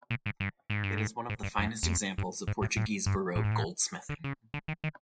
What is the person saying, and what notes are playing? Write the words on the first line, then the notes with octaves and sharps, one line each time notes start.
It is one of the finest examples of Portuguese Baroque goldsmithing.
A#2
G#2
G2
G#2
G2
G#2
G#2
G2
F#2
E2
F2
G2
G#2
A2
A2
G2
A2
G#2
A2
D3
C#3
D3
D#3
D#3